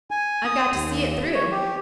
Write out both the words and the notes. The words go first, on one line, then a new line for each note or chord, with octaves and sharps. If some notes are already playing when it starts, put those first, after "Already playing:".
I've got to see it through.
G#5
D#6
D#2
C#5
G4